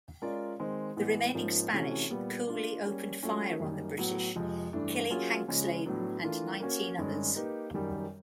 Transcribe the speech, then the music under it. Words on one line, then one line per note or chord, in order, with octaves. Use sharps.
The remaining Spanish coolly opened fire on the British, killing Hanxleden and nineteen others.
G#3 C#4 F4 A#4 D5
D#3 G#3 C4
A2 E3 G#3 B3 E4
G#2 F3 A#3 C#4
C3 E3 A3 C#4 F#4
A#2 G3 B3
A#3 D4 F4
G3 A#3 C#4
F#3 A3 C#4 F4
F#2 D#3 G3 A#3
A2 F#3 B3
F2 C3 F3 G#3
G2 E3 A3 D4
F#3 A#3 C#4 F4 G#4
C#3 F3 G#3 C#4
A2 F#3 B3 D4
E3 A3 D4 F4 A#4
A#3 C#4 F#4
G2 D#3 G#3 C#4
A#3 D#4 G4 B4
F#2 D#3 G3